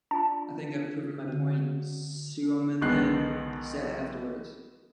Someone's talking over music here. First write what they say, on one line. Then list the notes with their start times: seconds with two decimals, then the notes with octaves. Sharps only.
"I think I've proven my point," Suominen said afterwards.
0.11 D4 F4 A5
1.28 D3 F#4
2.82 B1 D#3 G#3 B3 F#6 C7